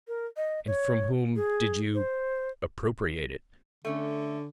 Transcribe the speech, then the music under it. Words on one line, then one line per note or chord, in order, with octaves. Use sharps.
"And from whom did you ... appropriate it?"
A#4
D#5
C#5
G#4
C5
D3 A3 C#4